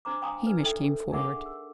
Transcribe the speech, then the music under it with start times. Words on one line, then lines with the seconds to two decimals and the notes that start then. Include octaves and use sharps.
Hamish came forward.
0.05 D4 C5 A#5 D6
0.22 F5 G5 G#5 A#5 C6 D#6
0.47 D4 B4
0.61 D#4 A4 E5 G5
1.12 D4 G#4 A#4 E5 F#5 D6
1.46 E6